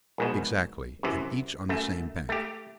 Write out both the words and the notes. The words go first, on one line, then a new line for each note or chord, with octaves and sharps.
"Exactly, and each on the same bank."
A#1 G#2 B2
F#2 C3 E3
F#2 A3
A3 G4